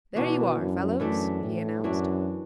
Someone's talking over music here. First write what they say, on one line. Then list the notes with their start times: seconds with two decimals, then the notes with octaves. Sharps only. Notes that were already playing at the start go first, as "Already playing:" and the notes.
"There you are, fellows!" he announced.
0.16 B2 E3 D4 F#4
0.58 F#2
1.00 F#2 E3 A3 D4
1.42 A2
1.84 F#2 E3 D4 F#4